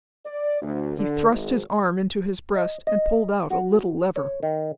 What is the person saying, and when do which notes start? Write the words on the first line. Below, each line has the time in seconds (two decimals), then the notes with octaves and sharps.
He thrust his arm into his breast, and pulled out a little lever.
0.24 D5
0.62 D2
0.97 D3
1.28 G#1
2.56 D#5
2.87 D#5
3.50 F#4
4.16 C#5
4.43 D#3